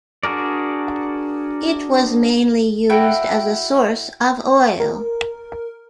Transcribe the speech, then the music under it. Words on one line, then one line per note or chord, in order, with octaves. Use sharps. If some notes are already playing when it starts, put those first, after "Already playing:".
It was mainly used as a source of oil.
D4 F#4 G#4 A#4 D5
E4 F#4 G5
A#4